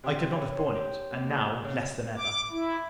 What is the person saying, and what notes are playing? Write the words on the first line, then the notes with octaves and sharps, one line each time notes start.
I could not have borne it; and, now, less than ever.
C3
C#5
C6
G4
D#2
G#4
C#3
D6
E4